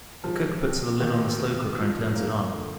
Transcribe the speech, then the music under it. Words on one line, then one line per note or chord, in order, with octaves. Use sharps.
The cook puts the lid on the slow cooker and turns it on.
F3 G#3
C4
D#3 A#3
C3
F3
A#3
D3